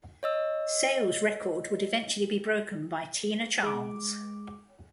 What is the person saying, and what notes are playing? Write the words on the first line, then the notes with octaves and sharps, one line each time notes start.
Sales' record would eventually be broken by Tina Charles.
C#5 D#5 E6
G#3 D6